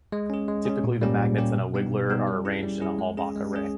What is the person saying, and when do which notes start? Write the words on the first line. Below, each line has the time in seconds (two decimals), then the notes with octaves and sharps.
Typically the magnets in a wiggler are arranged in a Halbach array.
0.12 G#3
0.30 C#4 G#4
0.48 G#3
0.65 C#4 G#4
0.84 A#2
1.01 G3 A#3 C#4 G4
1.19 A#2
1.38 G3 A#3 C#4 G4
1.56 B2
1.74 G3 B3 D#4 G4
1.92 B2
2.10 G3 B3 D#4 G4
2.27 G3
2.45 C#4 E4 G#4
2.63 G3
2.81 C#4 E4 G#4
2.99 G#3
3.17 C#4 G#4
3.36 G#3
3.53 C#4 G#4